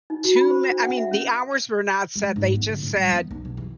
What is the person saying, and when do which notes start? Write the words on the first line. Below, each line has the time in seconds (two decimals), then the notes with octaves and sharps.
too man I mean the hours were not set they just said,
0.10 D#4
0.24 F#4
0.36 B5
0.50 C5
0.70 D4
0.84 F#5
0.97 E5
1.11 C#4
2.16 G#3
2.36 G#2
2.54 B3
2.67 D3
2.82 A2
2.95 G3
3.12 B3
3.31 B1
3.45 B2
3.57 E3